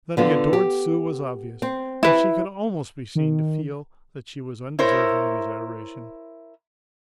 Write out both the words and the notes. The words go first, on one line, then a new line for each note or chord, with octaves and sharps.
That he adored Sue was obvious; and she could almost be seen to feel that she was undeserving his adoration.
D3 B3 F4
G4
C4
E4 B4
D#3
E4 A#4 C5 C#5